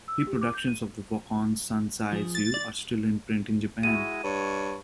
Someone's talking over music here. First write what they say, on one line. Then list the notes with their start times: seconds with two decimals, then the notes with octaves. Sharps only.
Reproductions of the "Wakan Sansai Zue" are still in print in Japan.
0.08 E6
0.27 G4
0.41 D6
0.55 G6
0.67 D#7
2.12 F3 G#4
2.35 A6
2.54 D5
3.83 G#3 E4 F#4 D#7
4.24 G2 C#5